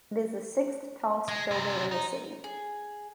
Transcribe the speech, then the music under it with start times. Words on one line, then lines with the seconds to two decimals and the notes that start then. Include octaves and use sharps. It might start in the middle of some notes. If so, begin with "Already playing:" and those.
It is the sixth-tallest building in the city.
1.29 G#3
1.51 F#2 C3
1.91 D#4
2.44 G#4